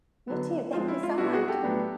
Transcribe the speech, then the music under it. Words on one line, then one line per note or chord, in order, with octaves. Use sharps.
You too. Thank you so much.
D3 F#3 B3
F3 G#3 C4 F4
E4
F4
B2 G3 B3 D4 E4 F#4
F#4 G#4
G4 A4
A2 F#3 B3 D4